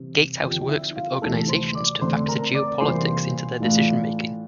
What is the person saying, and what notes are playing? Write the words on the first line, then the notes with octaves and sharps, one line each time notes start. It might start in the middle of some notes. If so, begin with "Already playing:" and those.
Gatehouse works with organisations to factor geopolitics into their decision making.
Already playing: C3 E3 G3 C4
D3 F3 C4 G4 G5
E4 E5
F4 F5
D2 C3 E3 A3 E4 A4 A5
C5 C6
D5 D6
D3 A3 C4 C5 C6
A#4 A#5
D5 D6
C3 E3 G3 A#3 C5 C6
A2 E3 A3 D4 F4